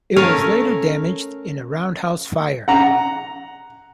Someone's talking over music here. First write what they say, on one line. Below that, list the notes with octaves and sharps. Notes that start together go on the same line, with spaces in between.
It was later damaged in a roundhouse fire.
A3 C#4 A#4 C#5 F5 G#5
F#5 A#5